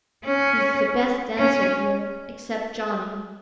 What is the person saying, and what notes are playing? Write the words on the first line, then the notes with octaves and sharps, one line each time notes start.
"He's the best dancer here, except Johnny."
C#4
C#4